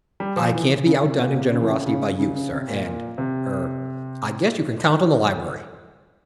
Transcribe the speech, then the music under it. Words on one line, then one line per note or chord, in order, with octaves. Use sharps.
I can't be outdone in generosity by you, sir, and--er-- I guess you can count on the library.
G3
F3
E3
C#3
C3
A#2
C3
C#3
E3
C#3
C#3
C#3
C#3
C3
A#2
A#2
C3